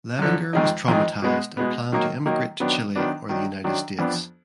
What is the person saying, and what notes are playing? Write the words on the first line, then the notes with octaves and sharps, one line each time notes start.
Levinger was traumatised and planned to emigrate to Chile or the United States.
F#2 D3 F3
F2 D#3 G#3 D#4
F2 D#3 G#3 D#4
B2 G#3 B3
B2 G#3 B3
D#3 F#3 A#3 D#4
D#3 F#3 A#3 D#4
D#3 F#3 B3 D4
D#3 F#3 B3 D4
D#3 F#3 D4
D#3 F#3 D4
F2 F3 B3 D4